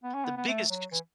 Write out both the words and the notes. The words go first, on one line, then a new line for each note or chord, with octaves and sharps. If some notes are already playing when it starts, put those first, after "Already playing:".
the biggest
B3
C#4
B3
B3
A3
F#3
E3